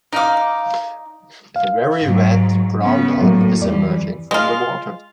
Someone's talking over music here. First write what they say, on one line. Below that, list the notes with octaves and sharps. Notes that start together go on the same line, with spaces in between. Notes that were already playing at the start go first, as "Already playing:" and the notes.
A very wet brown dog is emerging from the water.
D#4 D5 E5 F5 D6
F5
G#2 F#3
C#3 B3
A2 F#3 A3 A#3
F2 E3 G3 D5
G#3 F4